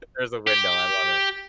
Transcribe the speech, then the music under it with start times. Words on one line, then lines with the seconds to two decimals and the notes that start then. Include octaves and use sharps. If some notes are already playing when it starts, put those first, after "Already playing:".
There's a window, I love it.
0.47 G4